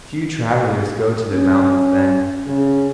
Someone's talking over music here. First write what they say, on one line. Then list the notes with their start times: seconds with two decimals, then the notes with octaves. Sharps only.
Few travellers go to the mountains then.
1.32 C#4
2.47 C#3